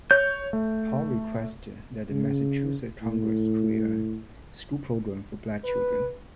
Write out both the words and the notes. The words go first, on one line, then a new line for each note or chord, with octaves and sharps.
Hall requested that the Massachusetts Congress create a school program for black children.
C#5 G6
A3
C#3
A2
B4